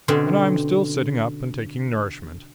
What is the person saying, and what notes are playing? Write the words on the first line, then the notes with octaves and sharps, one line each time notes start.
And I'm still sitting up and taking nourishment.
B2 D3 C4 C#4